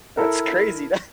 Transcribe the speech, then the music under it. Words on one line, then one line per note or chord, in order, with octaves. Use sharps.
that's crazy. That
E4 A4 A#4